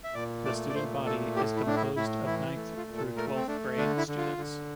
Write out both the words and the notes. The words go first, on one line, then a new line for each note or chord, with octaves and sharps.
The student body is composed of ninth through twelfth grade students.
E5
A#2 D5
A3 D5
D5
A#2 C5
A3 A4
A2 G4
E4
A2 D4
E4
A2 E4
E3 E4
A3
F4
A#2
A4
A3 A#4
C4
A3 D4
D3 D4
E4
D3
F4
D3